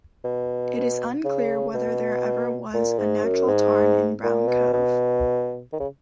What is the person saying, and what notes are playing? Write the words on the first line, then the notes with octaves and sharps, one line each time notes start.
It is unclear whether there ever was a natural tarn in Brown Cove.
B2
C#3
B2
A#2
G#2
F#2
G#2
A#2
B2
B2
D#3
C#3